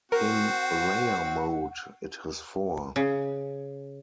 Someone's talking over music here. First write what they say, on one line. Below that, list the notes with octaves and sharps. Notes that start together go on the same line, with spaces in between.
In Layer mode, it has four.
C4 F#4 A#4 F#5
C#3